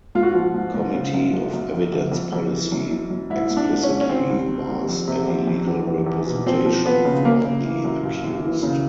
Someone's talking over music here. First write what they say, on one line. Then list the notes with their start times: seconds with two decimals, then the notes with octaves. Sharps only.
Committee of Evidence policy explicitly bars any legal representation for the accused.
0.15 G#2 F4
0.23 F#4
0.31 F3 F4
0.54 G#2
0.74 G#2
0.94 C#3
1.14 F#2
1.34 F#2
1.53 F#2
1.73 F2
1.92 F2
2.12 F2
2.33 F2
2.52 E3
2.72 F#2
2.91 F#2
3.10 F#2
3.30 G#2 E4
3.50 G#2
3.57 D4
3.71 G#2
3.83 C#4
3.90 G#2
4.01 C#4
4.09 D#3 C4
4.29 C2
4.49 D#3
4.69 C2
4.89 F2
5.08 C3
5.28 F2
5.48 F2
5.68 E2
5.87 E2
6.07 E2
6.27 B2
6.46 F3 C4
6.66 F3
6.86 F3 B3
7.05 C#3
7.25 F#2 A#3
7.45 C#3
7.64 E3
7.84 F#2
8.04 D#2
8.24 D#2
8.44 E3
8.63 C#3